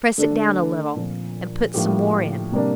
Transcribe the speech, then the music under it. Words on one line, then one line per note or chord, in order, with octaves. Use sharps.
Press it down a little, and put some more in.
D3 A3 D4 A4
A#2 F3 C4
A2 F3 A#3 D4 G4
C3 G3 A#3 D4